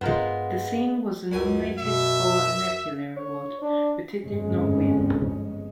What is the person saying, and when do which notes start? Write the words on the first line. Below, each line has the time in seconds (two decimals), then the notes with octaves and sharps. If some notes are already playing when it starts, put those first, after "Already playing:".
The scene was nominated for a Nebula Award, but it did not win.
0.01 G2 G#3 B3 F4 A#4 C5
1.32 C#2 F#2 G#5
1.79 B2 E5
3.17 C#5
3.62 D4
4.23 G1 F2 G#2 G#3 C#4